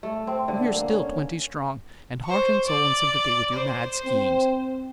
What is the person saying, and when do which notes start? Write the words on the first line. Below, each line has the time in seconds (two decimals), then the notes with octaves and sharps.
We are still twenty strong, and heart and soul in sympathy with your mad schemes.
0.03 A3
0.27 C4
0.48 D3
0.75 A#3
0.89 C#4
2.24 C5 C#6
2.66 D5
3.53 C5
4.06 C4